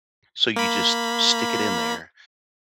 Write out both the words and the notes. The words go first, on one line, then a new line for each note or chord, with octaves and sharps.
So you just stick it in there,
A#3 B5